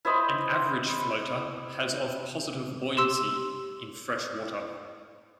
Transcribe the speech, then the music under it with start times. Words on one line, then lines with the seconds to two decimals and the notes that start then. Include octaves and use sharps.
An average floater has of positive buoyancy in fresh water.
0.05 E4 C5 D#5 B5
2.97 G4 C6 E6